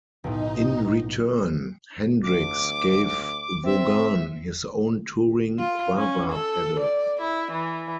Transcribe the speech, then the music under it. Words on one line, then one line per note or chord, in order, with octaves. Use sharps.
In return, Hendrix gave Vaughan his own touring Wah-wah pedal.
B1 A2 D#4
D2 D6
C4 E5
F4
C#4
A4
D5
E4
E3